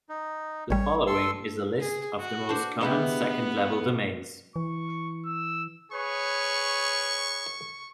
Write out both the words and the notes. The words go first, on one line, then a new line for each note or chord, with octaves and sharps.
The following is a list of the most common second-level domains.
D#4
A1 G3 C#5
A4 C6 E6
G#4
F#4
D4 C5
G#3 B3 E4 G4
E3 C#6
E6
G#4 B4 C#5 C#6